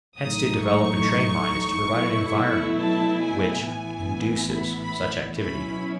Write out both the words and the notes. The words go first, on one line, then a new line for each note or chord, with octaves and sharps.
Hence to develop and train mind is to provide an environment which induces such activity.
A1 A2 F#3 A3 D#4 D#6
C#6
B2 F#3 A3 E4
A5
G#5
A1 A2 E3 B3 E4 G#5
B5
B5
B2 F#3 C#4 E4 B5